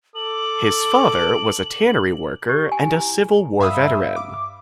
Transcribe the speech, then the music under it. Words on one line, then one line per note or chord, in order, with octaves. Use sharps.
His father was a tannery worker and a Civil War veteran.
A4 D6 F#7
G4
G#5
E4
G2 E5 F5 B5 D#6 E6
D6